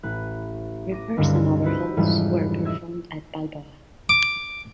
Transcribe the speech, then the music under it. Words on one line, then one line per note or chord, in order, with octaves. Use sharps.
Repairs and overhauls were performed at Balboa.
A1 B4 F#6
D6 A#6 D#7
C#2 G2 D3 D#3
D#4 E4 F#4 B4 C5
F2 G#2 C#3 E3 F3 G3
D#5 E5 E6 G#6 A#6
D6